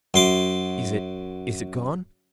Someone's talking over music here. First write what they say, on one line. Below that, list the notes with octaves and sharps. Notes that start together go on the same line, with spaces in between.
"Is it--is it gone?"
F#2 C6 D6